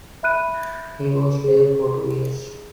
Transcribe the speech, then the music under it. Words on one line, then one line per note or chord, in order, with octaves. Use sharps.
He was there for two years.
E5 B5 F#6 D#7
G#4 C5